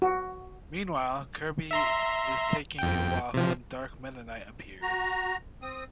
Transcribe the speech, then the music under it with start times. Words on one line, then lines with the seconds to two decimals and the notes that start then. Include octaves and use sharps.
Meanwhile, Kirby is taking a walk when Dark Meta Knight appears.
0.02 F#4
1.71 E5 A#5 C6
2.79 F2 G5
3.34 C3 F3
4.82 F#4 A#5
5.62 C4 D#6